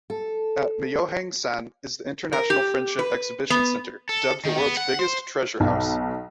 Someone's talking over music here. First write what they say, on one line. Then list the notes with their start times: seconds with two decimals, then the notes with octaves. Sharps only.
At Myohyang-san is the International Friendship Exhibition centre, dubbed the world's biggest treasure-house.
0.10 A4
2.33 A#4
2.50 G4
2.99 B4
3.50 B3
4.09 A4
4.45 D#3
4.58 B3
4.77 F#5
4.99 C5
5.60 B1